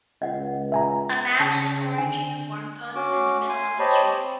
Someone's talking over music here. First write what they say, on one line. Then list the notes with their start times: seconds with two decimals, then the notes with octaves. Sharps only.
A man in an orange uniform poses in the middle of a street.
0.22 C#2 D#5 F#5
0.72 E5 G#5 A#5
1.40 C#3 A5
1.98 D3 G#5
2.95 C#4 F#4 D6
3.49 G#5 C6
3.79 G4 C5 C#5 D#5 A5 B5
4.02 C4